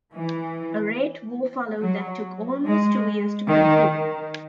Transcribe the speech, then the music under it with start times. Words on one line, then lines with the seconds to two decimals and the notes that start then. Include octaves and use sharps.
A rate war followed that took almost two years to conclude.
0.14 E3
1.79 F#3
2.63 G#3
3.46 D#3